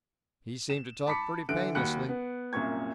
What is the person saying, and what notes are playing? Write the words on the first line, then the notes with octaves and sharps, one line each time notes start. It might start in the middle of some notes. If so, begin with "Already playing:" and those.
He seemed to talk pretty painlessly.
E7
A5 B5 D6 B6 C#7
D3 E3 F#6 D7
D#2 F#4 B5 F#6 C#7
B3
C2 F#2 A#2 C#6 G#6